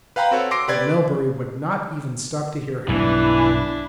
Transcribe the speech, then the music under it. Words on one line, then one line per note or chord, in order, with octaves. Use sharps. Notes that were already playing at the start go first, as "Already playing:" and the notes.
But Melbury would not even stop to hear him.
B4 F5 G5 A#5 B5
C4 F#4 A4 C#5
C6 D6 E6 A#6 C7 D7
G4 B4 D5 G#6
B1 G2 E3 D4 E4